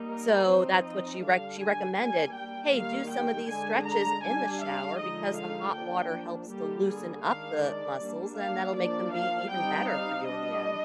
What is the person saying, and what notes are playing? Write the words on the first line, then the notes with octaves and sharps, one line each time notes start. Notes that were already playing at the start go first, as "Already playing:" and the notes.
so, that's what she rec she recommended, "Hey, do some of these stretches in the shower because the hot water helps to loosen up the muscles, and that'll make them be even better for you in the end".
Already playing: G3 A#3 D#4
A#4
F3 C4 D#4 C5
D#5
D3 G3 D4 F5
G#5
G3 A#3 D4 G#5
G5
D#3 G3 A#3 F5
G5
D3 G#3 D4 G#5
A#5
G3 D4 G#5
F5
D3 F3 G#3 D#4 D#5
F5
F3 A#3 D4 G5
D3 G3 A#3 G4
G#4
D#3 G#3 D4 F5
D5
G3 A#3 D4
F5
F3 A#3 D4 D5
F5
G3 C4 D#4 G5
F5
G3 D4 D#5